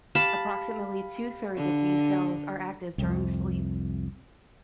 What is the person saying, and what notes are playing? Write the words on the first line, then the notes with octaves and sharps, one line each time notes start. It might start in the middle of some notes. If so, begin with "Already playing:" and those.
Approximately two thirds of these cells are active during sleep.
G4 F5 A5 B5
D3
C2 F2